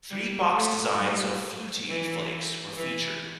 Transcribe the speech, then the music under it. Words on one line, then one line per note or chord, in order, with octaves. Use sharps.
Three box designs of Flutie Flakes were featured.
G3
A3
G3
E3
E3